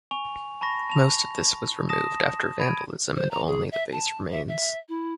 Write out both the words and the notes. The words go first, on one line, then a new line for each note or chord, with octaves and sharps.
Most of this was removed after vandalism, and only the base remains.
G#5 C#6 F7
A5 B5 C#6 A#6
A5 F7
A5 D#6 A#6 E7
B5 G#6 D7 D#7
C5
A#5
G#4
E5
A5
E5
E5
E4